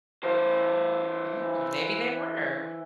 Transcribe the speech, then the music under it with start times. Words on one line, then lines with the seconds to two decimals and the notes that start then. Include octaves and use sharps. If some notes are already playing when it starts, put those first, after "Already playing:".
Mm, maybe they were.
0.23 E3 C5